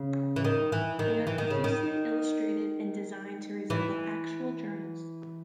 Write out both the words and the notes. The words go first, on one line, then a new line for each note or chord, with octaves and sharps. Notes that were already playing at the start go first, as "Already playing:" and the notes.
They are profusely illustrated and designed to resemble actual journals.
Already playing: C#3
E3
D#3
E3
D#3
E3
D#3
C#3
D#3
E3